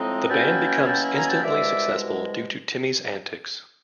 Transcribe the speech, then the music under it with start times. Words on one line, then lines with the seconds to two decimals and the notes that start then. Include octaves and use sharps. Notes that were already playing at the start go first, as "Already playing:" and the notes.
The band becomes instantly successful due to Timmy's antics.
Already playing: A2 F3 G#3 C4 D#4
0.29 B2 F#3 A#3 C#4 E4 G5 A5
0.65 G5
0.75 G#5
0.85 G5 A5
1.14 G#5 A#5
1.28 G5 A5
1.42 C2 B2 G#3 D5 E5